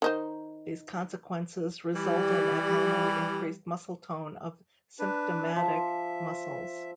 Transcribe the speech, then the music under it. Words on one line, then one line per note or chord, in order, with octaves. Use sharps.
These consequences result in abnormally increased muscle tone of symptomatic muscles.
D#3 D#4 C5
E3 G3
D4 B4
F3 E5